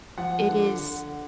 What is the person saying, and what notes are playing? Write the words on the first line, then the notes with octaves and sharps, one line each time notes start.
It is
F3 F#5
D3
D3